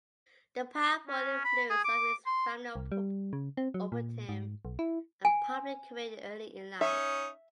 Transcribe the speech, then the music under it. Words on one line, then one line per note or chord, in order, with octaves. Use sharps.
The powerful influence of his family opened him a public career early in life.
C#4
B5
G#4
D6
C6
C2
G3
C#3
C4
F#3
A#2
G#2
B1
E4
G#5
C#4 D#4 E5